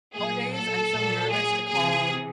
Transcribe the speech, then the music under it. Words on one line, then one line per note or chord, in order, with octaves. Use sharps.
nowadays, I'm so nervous to call
A#2 F#3 G#4
A4
A#2 F#3
G#4
C3 E3 G#4